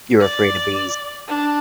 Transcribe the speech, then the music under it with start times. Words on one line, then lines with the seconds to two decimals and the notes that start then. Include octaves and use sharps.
You're afraid of bees.
0.21 D5
1.28 D4